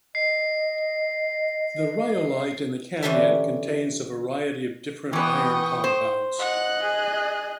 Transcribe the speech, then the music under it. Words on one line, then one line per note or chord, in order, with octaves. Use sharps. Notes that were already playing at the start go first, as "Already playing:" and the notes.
The rhyolite in the canyon contains a variety of different iron compounds.
D#5 C7
D3 E3 C#4 G4 A4 E5
E3 B3 G5 C#6 D#6
C5
D#5 F#5 F#6
G#4